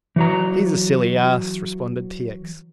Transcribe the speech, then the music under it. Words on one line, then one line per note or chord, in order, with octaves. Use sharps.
"He's a silly ass," responded T. X.
E3 F#3 A#5